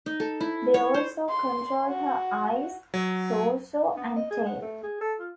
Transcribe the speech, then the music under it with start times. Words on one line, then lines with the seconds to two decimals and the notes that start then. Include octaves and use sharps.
They also control her eyes, torso, and tail.
0.06 D#4
0.20 A4
0.40 E4
0.74 C#5
0.94 C5
1.29 C6
1.89 F#4
2.94 F#3
3.97 B3
4.16 D#5
4.31 G#4
4.47 F#5
4.62 A3
4.83 G#4
5.01 A4
5.20 F4